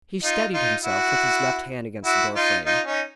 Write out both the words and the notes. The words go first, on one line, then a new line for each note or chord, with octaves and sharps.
He steadied himself with his left hand against the door frame.
D#4 F4
D#4 F4
E4 F#4
E4 F#4
D#4 F4
D#4 F4
C#4 D#4